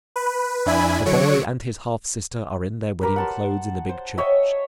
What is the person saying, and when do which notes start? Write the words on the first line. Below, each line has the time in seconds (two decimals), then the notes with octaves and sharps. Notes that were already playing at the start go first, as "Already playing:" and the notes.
The boy and his half-sister are in their wedding-clothes in the big church.
0.16 B4
0.66 F2 D4 E4 G#5 B5
1.05 D3 F#3 C#5 C#7 D7
3.01 G4 A#4 B4
3.16 F#5 A5 C6
3.89 C5
4.17 C#5 D#5 E5 G5